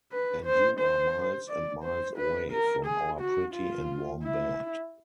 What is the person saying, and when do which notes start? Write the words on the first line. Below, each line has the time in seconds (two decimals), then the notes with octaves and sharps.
And you are miles and miles away from your pretty and warm bed.
0.12 B4
0.46 C5
0.80 C5
1.49 D5
1.84 C5
2.18 B4
2.52 A#4
2.86 G#4
3.21 F#4
3.54 F4
4.23 E4